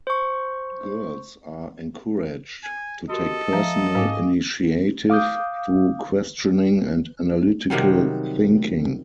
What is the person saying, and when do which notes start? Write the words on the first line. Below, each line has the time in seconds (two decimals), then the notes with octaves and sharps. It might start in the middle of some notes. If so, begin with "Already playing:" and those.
Girls are encouraged to take personal initiative through questioning and analytical thinking.
0.07 C5 C#6
2.63 G#5
3.10 F#4 G4 A4 A#4 D#5
3.53 F3 E5 F5 A#5
3.95 G#2 F5 G#5 D6
5.10 F5 D6 D#6 G6
7.70 C3 D#3 F#3 G3